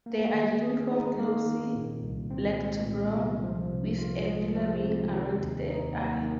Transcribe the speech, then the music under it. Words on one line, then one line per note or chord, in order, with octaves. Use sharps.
They are uniform glossy black to brown, with a paler ring around the eye.
A#3
D#3
G#4
D#4
A#3
D#3
A#2
C2
C4
G#3
A#2
C2
F3
C3
F4
G#3
F3
C3
D#3
D#2
D#4
A#3
D#3